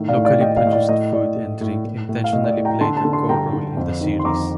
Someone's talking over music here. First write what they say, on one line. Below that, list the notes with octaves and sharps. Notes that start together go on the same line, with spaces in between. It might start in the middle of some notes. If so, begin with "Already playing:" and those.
Locally produced food and drink intentionally played a core role in the series.
Already playing: A2 D#3
D5 F5
A2
D5 F5
A2 D#5 G5
D5 F5
A2 D#5
D5
A2 D#5
A2 D5
A2
A2
A2
A2
F5
A2 D#5
D5
D#5
A2
G5 A#5
D3 A5 C6
A5 C6
D3
A5 C6
G2 G5 A#5
D3
F2
D#3
C6
F2 A#5 D6